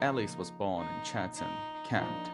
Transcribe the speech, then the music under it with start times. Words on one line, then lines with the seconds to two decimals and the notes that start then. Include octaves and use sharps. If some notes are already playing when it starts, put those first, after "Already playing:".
Ellis was born in Chatham, Kent.
Already playing: C#3 F3 A#3 D#4
0.78 D#4
1.38 D#4
1.96 F3 A#3 D4 D#4